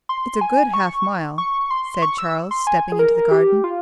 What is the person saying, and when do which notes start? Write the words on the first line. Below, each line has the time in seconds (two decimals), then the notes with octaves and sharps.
"It's a good half-mile," said Charles, stepping into the garden.
0.09 C6
0.41 G#5
0.74 C#6
1.38 C#6
1.71 C6
2.02 C#6
2.18 E6
2.51 C6
2.67 G#5
2.92 G#4
2.99 A#4
3.31 G4
3.64 F4